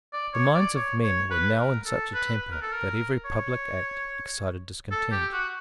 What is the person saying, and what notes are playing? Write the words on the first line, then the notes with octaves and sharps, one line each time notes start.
The minds of men were now in such a temper that every public act excited discontent.
D5
C#5
D5
C#5
C#5
B4
A#4
A4
B4
B4
A#4
A4
A#4
C#5
A4
G4
F#4